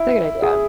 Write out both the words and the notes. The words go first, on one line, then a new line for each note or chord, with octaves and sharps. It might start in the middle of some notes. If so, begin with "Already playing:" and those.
a good idea.
Already playing: E4
G#4